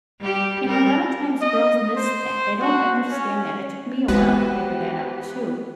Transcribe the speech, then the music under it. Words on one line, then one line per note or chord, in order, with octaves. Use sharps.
And a lot of times girls miss that, they don't understand that, it took me a while to figure that out too.
G3 G4
G3 A#4
D#5
C5
F#4
C#4
G#3 B3 F#4 G4 B4 C5